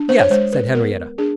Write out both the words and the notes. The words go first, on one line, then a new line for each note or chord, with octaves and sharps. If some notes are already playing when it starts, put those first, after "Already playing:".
"Yes," said Henriette.
Already playing: D4
C5
C#5
G#3 C5
B4
B3 A#4
D4 G#4